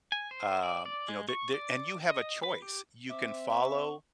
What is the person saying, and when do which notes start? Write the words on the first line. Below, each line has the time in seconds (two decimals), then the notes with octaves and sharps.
um, you know, th there and you have a choice. You can follow,
0.12 G#5
0.31 C5
0.63 D5
0.86 D5
1.08 G#3
1.29 C#6
1.54 D5
2.10 D#5
2.43 B4
2.62 G4
3.10 C4 E5 D6
3.51 C#6